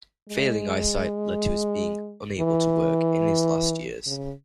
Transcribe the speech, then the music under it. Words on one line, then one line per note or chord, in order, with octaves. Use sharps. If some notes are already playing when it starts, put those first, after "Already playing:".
Failing eyesight led to his being unable to work in his last years.
G#3
E3
C#3